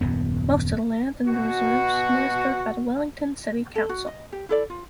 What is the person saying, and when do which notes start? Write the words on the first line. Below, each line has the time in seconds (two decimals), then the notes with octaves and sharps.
Most of the land in the reserve is administered by the Wellington City Council.
0.01 D#1 F#2 B3
1.27 B2 F#4
3.75 A4
3.89 F#4
4.07 D#5
4.32 G4
4.49 E4 A4 D5
4.70 F4